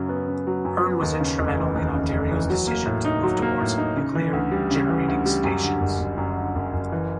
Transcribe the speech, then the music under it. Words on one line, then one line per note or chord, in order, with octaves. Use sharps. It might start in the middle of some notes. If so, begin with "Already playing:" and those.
Hearn was instrumental in Ontario's decision to move towards nuclear generating stations.
Already playing: F#2 C#3 F#3
B3
C#3
F#3
F#2
B3
D#2
C#3
F1
E3
D#2
C#3
F1
E3
F#3
A#3
A2
D#4
F#3
A#3
A2
D#4
C#3
E3
D2
G3
C#3
E3
D2
G3
F#2
D3
F#1
F#1
F#2
D3
F#1
F#1
E3